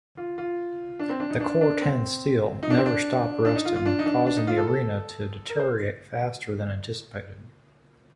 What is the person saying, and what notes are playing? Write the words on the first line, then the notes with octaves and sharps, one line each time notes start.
The Cor-Ten steel never stopped rusting, causing the arena to deteriorate faster than anticipated.
F4
F4
D4
C4
D4
D#4
D4
D4
C4
D#4
D4
C4
D4
D4
D#4
F4
F4
D4
D#4
D4
D4
D#4
F4
A4
A4
A#4
C5